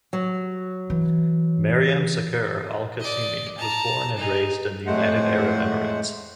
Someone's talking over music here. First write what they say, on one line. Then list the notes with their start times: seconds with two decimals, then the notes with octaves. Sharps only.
Maryam Saqer Al Qasimi was born and raised in the United Arab Emirates.
0.13 F#3
0.90 E3
3.00 D5 D#5
3.57 A5 A#5
4.16 D#4 G#4
4.86 F2 A2 G#3 A3 C5 F#5